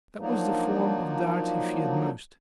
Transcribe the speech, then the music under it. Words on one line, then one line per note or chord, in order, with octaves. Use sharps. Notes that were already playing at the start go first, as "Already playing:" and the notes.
That was the form of doubt he feared most.
F3 F#3 A#3 D4 D#4